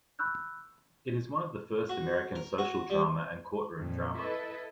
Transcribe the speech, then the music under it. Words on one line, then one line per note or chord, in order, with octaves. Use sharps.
It is one of the first American social drama and Courtroom drama.
B5 C#6 E6 F#6 G6
F#4
A#4
F#4
G3
F2 A#2
E4 A4 B4 D#5